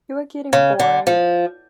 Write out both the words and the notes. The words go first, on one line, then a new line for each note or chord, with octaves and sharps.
You're getting boring.
C#3
D3
F3